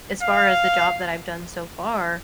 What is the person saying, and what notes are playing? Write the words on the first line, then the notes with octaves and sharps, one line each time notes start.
as far as the job that I've done so far,
F5